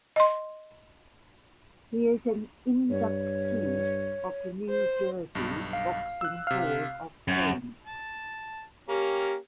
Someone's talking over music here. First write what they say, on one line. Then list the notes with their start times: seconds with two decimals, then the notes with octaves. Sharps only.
He is an inductee of the New Jersey Boxing Hall of Fame.
0.16 D#5 C6
2.90 G2 C#5
4.70 C5
5.35 B1 G2
5.73 F5
6.21 E6 F#6
6.47 C3 F5 F6
7.28 F#2
7.86 A5
8.89 A#3 C#4 G4 A#4